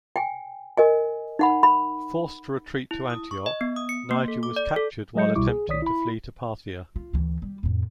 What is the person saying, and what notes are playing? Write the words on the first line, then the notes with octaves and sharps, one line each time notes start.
Forced to retreat to Antioch, Niger was captured while attempting to flee to Parthia.
G5 G#5
A#4 D#5 G#5
D#4 F#5 B5
B5
E4
D#6
C#6
D#5
B3
D#6
C#7
A#3
A4
D6
D5
A4
F#3 G#3 D#5 G6 C#7
C2 B2 G3 E4 C#6 D6
G#4
B1 D#3 C#5 D5 D#6 B6
E4 B5
F4
D2 E3
G3
F2 A2